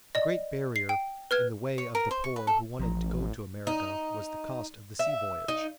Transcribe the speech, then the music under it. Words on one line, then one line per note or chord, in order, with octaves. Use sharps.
The great barrier in the way of the poor who wanted to go to America was the cost of the sea voyage.
D5 D#5
C7
G5
B4 F6 G#6
C#5
A#4
C5
C#6
B4
A4
A1 F3 A#5
D#4
E5
D#4